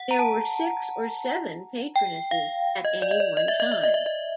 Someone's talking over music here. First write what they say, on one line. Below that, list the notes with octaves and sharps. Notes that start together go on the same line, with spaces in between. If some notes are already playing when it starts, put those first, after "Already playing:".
There were six or seven Patronesses at any one time.
Already playing: F#5
A#5
A5
G5
F5
D#5
D5
D#5
D5
D#5
E5
D#5
E5
D#5
E5
D#5